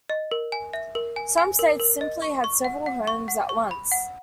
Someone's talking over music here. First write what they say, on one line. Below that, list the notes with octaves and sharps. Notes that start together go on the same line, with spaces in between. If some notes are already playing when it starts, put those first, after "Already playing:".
Some states simply had several homes at once.
D#5
A#4
G#5
E5
A#4
G#5
G#5
A#4
A#4
D#5
C#6
C#6
F#5
F#5
C#6
F#5
C#6
B5
F#5